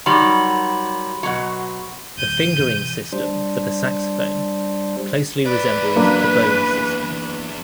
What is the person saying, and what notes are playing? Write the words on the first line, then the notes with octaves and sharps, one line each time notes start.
The fingering system for the saxophone closely resembles the Boehm system.
D#3 F#3 G3 B5 C6 F#7
B2 F#3
D1 G6 D#7
C3 E3
G3 D4 C5
E2 B4 D5
F#2 A#3 D4